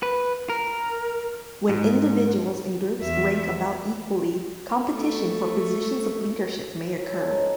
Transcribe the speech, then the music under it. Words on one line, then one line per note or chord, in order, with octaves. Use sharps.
When individuals and groups rank about equally, competition for positions of leadership may occur.
B4
A#4
G#2
E2 E5
A3 C#6
C#5 A#5 E6
C#4 F#4 G4 A4
D#4 B4 C5
A#5